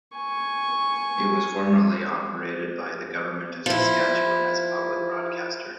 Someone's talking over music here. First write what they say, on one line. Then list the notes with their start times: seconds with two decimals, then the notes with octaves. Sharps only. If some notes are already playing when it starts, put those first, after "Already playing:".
It was formerly operated by the government of Saskatchewan as a public broadcaster.
0.14 G#5 C#6
3.66 F3 E4